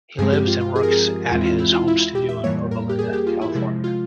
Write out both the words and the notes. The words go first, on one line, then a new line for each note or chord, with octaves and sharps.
He lives and works at his home studio in Yorba Linda, California.
G2 F3 G#3 C4 G#4
G4
F4
F4
G#4
A#4
G#4
A#4
G#4
E2 E3 G#3 C4 F4
E4
F4
E4
F4
E4
E4
G4
E5
F2 E3 G3 A#3 C#5
A#4
G4
G#4
G4
F4
E4
C3 F3 G#3 E4
F4